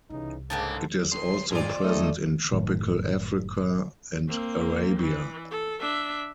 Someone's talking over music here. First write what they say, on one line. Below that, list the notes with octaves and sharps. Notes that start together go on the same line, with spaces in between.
It is also present in tropical Africa and Arabia.
C2 C#3 E3 D#4
G#2 C#3 A#3 D4 G4 A4 A5
A2 C6
F2 G#2 F4 D5
A3 D#4
F#1 A2 D#3
A#3 C4
E3
A4
D4 E5